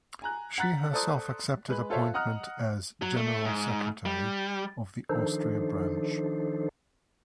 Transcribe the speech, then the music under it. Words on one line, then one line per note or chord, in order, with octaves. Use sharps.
She herself accepted appointment as "General Secretary" of the Austria branch.
G#5 A#5 F#6
F#5 A#5 F#6 A6 B6
A4 C5 D5 A#5 D#6
G#3 B4 F#6
F4 A4 C5 C#5 E5 F5
D#5 F#5 A#5 D#6 F6 F#6
F#3
A3
G#2
G3
D#3 F3 D4 D#4 A4 C5